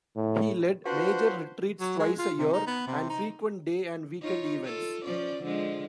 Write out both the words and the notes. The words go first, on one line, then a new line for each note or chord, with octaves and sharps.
He led major retreats twice a year and frequent day and weekend events.
A2
D4 F4 F#4 B4 C5
F#3
G#3
F4
C3
D#4
B3
C3
D#4
D#4 F4 C#5
F4 A4
F3 C#4 D5
D3 F3 G#3